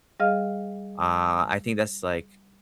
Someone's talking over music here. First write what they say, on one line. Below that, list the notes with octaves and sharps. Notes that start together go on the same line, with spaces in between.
Uh, I think that's, like,
G3 G#4 D#5 F5 F6